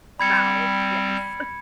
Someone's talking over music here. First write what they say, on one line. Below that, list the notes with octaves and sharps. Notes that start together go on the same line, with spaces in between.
Foul, yes.
G3 C4 B5 G#6 C#7